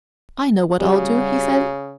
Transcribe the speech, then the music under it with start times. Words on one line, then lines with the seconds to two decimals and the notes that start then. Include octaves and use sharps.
"I know what I'll do," he said.
0.81 C#3 G3 F#4